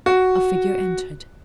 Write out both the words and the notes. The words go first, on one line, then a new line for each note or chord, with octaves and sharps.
A figure entered.
F#4